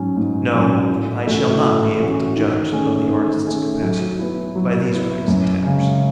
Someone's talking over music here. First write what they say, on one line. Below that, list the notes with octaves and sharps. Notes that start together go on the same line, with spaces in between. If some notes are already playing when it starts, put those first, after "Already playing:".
No, I shall not be able to judge of the artist's capacity by these rags and tatters.
Already playing: G#2 F#3 C#4
G#2
F#3 C#4
A2
E3 A3 C#4 F#4
A2
E3 A3 C#4 F#4
D#3
A3 C#4 G#4
D#3
A3 C#4 G#4
F#3
B3 E4
F#3
B3 E4
F#2
C#3 G#3 C#4